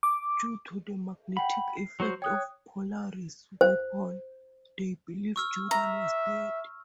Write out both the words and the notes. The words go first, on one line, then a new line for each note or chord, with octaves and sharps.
Due to the magnetic effect of Polaris' weapon, they believed Jordan was dead.
D6
F#5 G5 B5
C7
F#3 F#4 C5
C#5 G5 D#6 F#6
C5
C#6 E6 F6
E5 A#5